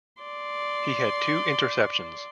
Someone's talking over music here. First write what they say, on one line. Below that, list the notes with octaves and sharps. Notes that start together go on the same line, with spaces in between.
He had two interceptions.
D5 C6